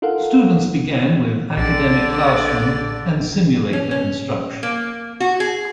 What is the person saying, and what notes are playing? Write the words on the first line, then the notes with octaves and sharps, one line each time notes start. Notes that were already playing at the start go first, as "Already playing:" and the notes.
Students began with academic classroom and simulator instruction.
D#4 F4 A4 A#4 F5 F#5
A#1 D3 D5
C#4
C#4
A#3
F#4
G#4